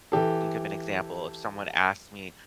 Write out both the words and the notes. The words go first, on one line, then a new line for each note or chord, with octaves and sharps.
think of an example. If someone asked me,
E3 G4 A4